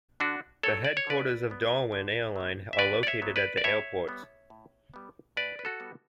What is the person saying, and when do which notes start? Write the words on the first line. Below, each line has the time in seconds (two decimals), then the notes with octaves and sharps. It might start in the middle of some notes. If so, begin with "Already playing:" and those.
The headquarters of Darwin Airline are located at the airport.
0.20 D3 D4 F#4
0.63 F#3 B3 A4 C#5
0.84 D5
0.97 C#5
1.07 D3 B4 D5
1.50 F#3 B3
1.92 D3
2.36 F#3 B3
2.73 E5
2.79 D3 B4 D5
3.03 D5
3.07 C#5 E5
3.22 F#3 B3
3.36 B4 D5
3.57 D5
3.64 A2 C#5 E5
4.08 G3 B3
4.50 A2
4.94 G3 B3
5.37 A2 B4 D5
5.59 B4
5.65 F#4 A4
5.80 G3 B3